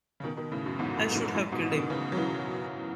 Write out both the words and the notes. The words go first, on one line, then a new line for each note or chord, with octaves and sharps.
I should have killed him!
C#3
B2 D#3
B2 D#3
A2 C#3
F#2
E2 G#2
F#2 A2
B2
F#2 A2
F#2 A2
G#2 B2
B2 D#3
C#3 E3
F#3
C#3 E3